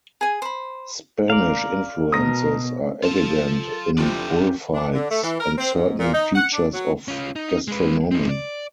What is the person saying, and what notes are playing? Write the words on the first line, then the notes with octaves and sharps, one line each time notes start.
Spanish influences are evident in bullfights and certain features of gastronomy.
G#4 G#5
C5 B5
A#4 D5 F5
B2 A#4 D#6 A#6
F4 A4 A5
F1 F3 D4 E4 G4
D4
D3
A3
E3
A#4
C4
G#2
A#2
D#4
F#5
D4
F#3
C#4 F4
D#4
G#3 B4
C4 D#4
D5